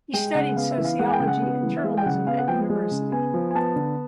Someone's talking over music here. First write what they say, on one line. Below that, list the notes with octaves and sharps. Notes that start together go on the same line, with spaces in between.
He studied Sociology and Journalism at university.
G#3 G5
C#3 F#5
B3 F5
E5
E3
F5
G#3 F#5
G#5
G5
C#3
F#5
B3
E3
E5
G#3 F5
G5
C#3 F#5
B3 F5
F#5
F3 G5
G#3
C#3
B3 G#5
F3
G#5
B3 A5
D3